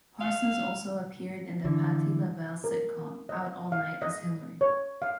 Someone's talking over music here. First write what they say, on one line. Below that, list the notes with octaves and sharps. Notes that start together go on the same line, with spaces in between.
Parsons also appeared in the Patti LaBelle sitcom, "Out All Night" as Hilary.
F5
D3 E3
A#4
D#5
F5
D#5
C#5
F5